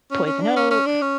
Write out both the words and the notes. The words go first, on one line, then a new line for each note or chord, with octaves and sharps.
poison oak,
C#4
C#4
D4
C#4
C#4
D4
C#4